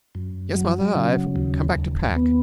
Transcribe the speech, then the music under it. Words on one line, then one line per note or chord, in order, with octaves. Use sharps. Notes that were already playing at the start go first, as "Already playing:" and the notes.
'Yes, mother; I've come back to pack.
F#2
F#3
C#3
D#2
D#2
B3